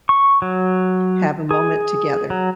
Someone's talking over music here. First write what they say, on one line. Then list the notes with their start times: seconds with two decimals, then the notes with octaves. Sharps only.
have a moment together.
0.09 C#6
0.42 F#3
1.51 G#4
2.30 F#3